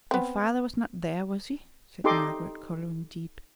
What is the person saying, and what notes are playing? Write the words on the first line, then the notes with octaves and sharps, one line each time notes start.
'Your father was not there, was he?' said Margaret, colouring deep.
B3 C4
D#4 G4 A4 D#5 C6 D6